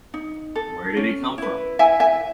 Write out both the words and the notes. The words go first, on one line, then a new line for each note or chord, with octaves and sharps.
Where did he come from?
D#4
A4
C#4
E4 B4
E4 E5 G#5
E5 G#5